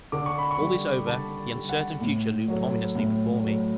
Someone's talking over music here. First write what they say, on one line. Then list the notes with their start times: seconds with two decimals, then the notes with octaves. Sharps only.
All this over, the uncertain future loomed ominously before me.
0.12 D3 D6
0.26 C#6
0.38 B5
0.51 C#6
0.60 G3
1.07 D3 A5
1.54 G3
1.69 F#5
2.01 A2
2.48 F#3 A3
2.95 A2
3.43 F#3 A3